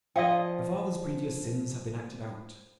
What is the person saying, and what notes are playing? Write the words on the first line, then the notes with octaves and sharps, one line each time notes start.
The father's previous sins have been acted out.
F3 D5 D#5 F5 G5